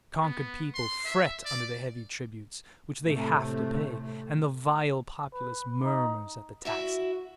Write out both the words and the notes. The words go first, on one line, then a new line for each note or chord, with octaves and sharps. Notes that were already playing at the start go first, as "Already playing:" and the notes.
The conquered people fret under the heavy tributes which they have to pay, and the vile populace murmur at the taxes.
B3
C6
E5
D5
A2 C3 A3
B4
D#4
E4 F#4 E5